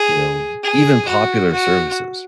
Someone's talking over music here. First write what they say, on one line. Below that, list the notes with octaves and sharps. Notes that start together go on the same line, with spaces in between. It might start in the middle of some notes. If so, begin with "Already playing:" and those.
you know, even popular services.
Already playing: G#4
G#4
F#4
F#4